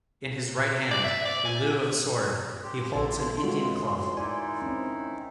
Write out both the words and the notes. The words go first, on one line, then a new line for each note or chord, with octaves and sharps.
In his right hand, in lieu of a sword, he holds an Indian club.
D5
E5
D5
G#5
G4 C6
A#1 G2 B2 E4 A4 A5
F#2 A2 E3 G#3 F4 F#4
D#3 D#4 E4 D5 G#5
C4 C#4